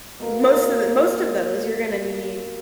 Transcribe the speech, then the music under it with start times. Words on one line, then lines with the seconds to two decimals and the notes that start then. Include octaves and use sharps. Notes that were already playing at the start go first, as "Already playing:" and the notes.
most of the most of those, you're gonna need
0.20 B2 A#3 A#4